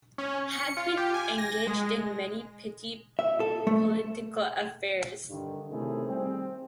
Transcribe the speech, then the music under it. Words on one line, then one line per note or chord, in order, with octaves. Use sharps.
Had been engaged in many petty political affairs.
C#4
C#7
F4
G4
G#5
A#6
G#3
E5
A4
A3
G2 D3 D#3
C3 D#3 A3 C#4 E4 G#4
G3 C4